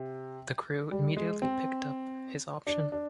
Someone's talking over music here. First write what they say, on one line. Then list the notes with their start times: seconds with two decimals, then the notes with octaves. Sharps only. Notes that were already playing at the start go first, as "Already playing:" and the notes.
The Crew immediately picked up his option.
Already playing: C3
0.92 G3
1.17 G#3
1.42 C4
2.67 D4
2.92 D4